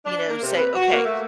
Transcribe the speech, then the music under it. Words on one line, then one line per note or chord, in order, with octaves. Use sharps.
you know, say, "Okay,
D4
A#3
C3
B4
F#4
A#3
A3